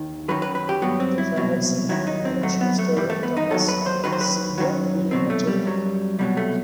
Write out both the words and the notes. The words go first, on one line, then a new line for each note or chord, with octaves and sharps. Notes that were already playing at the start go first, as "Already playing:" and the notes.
The final scene of the film shows David, Thomas and Sylvia reunited.
Already playing: D#2 D#3
F#2 D#3 F#3 B4
B4
B4
G4
G2 F#3 B3
C4
E4
C2 B2 F#3
D#2 D#3 F#3 E4
D#4
C4
G2 F#3 A3
B3
A3
G2 E3 G3
A3
B3
D#4
D#2 D#3 F#3 A4
B4
C5
D#2 D#3 F#3 B4
C5
B4
F#2 D#3 F#3
C2 B2 F#3 C4
A3
G3
F#2 F#3
C2 B2 F#3 G3
A3